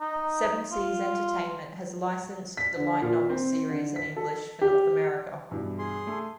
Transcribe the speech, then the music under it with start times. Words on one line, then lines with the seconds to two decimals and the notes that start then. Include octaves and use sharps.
Seven Seas Entertainment has licensed the light novel series in English for North America.
0.01 D#4
0.72 F4
2.57 B6
2.77 D3
3.02 A#2
3.29 C4
3.70 D3
3.96 B6
4.17 A4
4.61 G4
5.51 G2 B2 E3
5.78 G#4 C6
6.07 A3